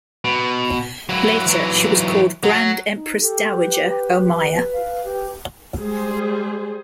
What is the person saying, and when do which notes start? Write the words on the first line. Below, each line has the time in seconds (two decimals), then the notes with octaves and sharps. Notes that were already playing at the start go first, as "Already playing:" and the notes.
Later, she was called Grand Empress Dowager Omiya.
0.25 B2
1.09 F#3 E4
1.47 E3 F#3
2.44 F#3
2.95 D#4
3.21 G4 A4
3.60 B4
4.74 F5
5.05 G4
5.79 G3 G#3 G#4 C5